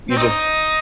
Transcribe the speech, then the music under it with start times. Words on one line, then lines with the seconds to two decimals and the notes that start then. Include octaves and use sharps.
you just
0.11 C4
0.17 D#4